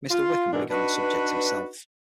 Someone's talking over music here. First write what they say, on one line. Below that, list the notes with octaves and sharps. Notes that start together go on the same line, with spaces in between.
Mr. Wickham began the subject himself.
F4
G#2 B2 E3 D4 A#4
D4 D#4 F#4 B4